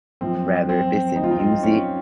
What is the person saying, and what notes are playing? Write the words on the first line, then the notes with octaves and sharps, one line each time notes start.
Rather if it's in music
F#2 F3 C4
C4
D#4
F4
D#4
C4
C#4